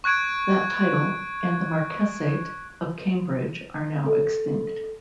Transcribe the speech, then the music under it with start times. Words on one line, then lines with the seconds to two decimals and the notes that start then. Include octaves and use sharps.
That title and the marquessate of Cambridge are now extinct.
0.04 C#6 F#6 G#6 D7
4.06 A4